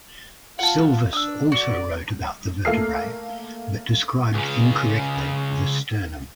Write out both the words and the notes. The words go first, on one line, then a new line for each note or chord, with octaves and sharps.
Sylvus also wrote about the vertebrae, but described incorrecty the sternum.
F4 F#5 A5
D4 D#6 E6
F#4 D5
A3 A#3 A4 E6 F6 C7
C#2 C#3